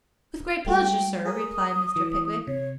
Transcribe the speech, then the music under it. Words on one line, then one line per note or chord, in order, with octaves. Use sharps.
'With great pleasure, Sir,' replied Mr. Pickwick.
G3 A3 F#4 G5
G#4 A#4 D#6
E3
C3 C#5